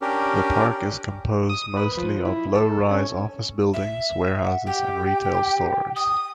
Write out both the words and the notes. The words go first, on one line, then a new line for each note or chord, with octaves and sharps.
The park is composed mostly of low-rise office buildings, warehouses and retail stores.
C#4 D4 G4 A#4
D#6
B4
F3
E4
A4
C#4
E5
F#5
G4 G5
D#6